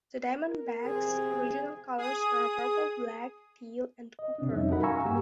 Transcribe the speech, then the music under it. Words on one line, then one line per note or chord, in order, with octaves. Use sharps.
The Diamondbacks' original colors were purple, black, teal and copper.
A#4
C3 C4 G#4
G#4 D#6
D#5
C3 C4 D4
F2 G3 C#4 D#4 E5
D#4 F#4 A4 A#4 F#5 B5
F5 G#5 A#5 C#6 E6
G2 A#3 G4 F#5 G#5 E6